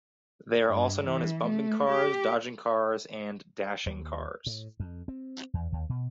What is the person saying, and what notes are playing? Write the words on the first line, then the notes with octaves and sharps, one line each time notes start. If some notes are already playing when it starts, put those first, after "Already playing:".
They are also known as bumping cars, dodging cars and dashing cars.
G2
E3
A3
G4
D#2
A2
F2
C4
E2
D#2
B2